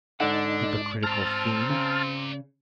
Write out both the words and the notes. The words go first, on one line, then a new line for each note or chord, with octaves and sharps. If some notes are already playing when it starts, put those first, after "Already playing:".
Hypocritical fiend!
G#2 D3 D4 D#4 F#5
C4 D5 A5 A#5 F6
C#3